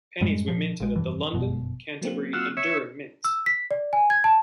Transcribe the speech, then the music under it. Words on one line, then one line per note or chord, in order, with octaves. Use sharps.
Pennies were minted at the London, Canterbury, and Durham mints.
F#2 A2 G3 G#3
A#2 F3
A#1 G#3
F1 G2 E3
G1 F#2 B2
F#3 A#3 C4
F4 F#4 E6
C#5 E5
E6
B6
D5
G#5
G#6
A5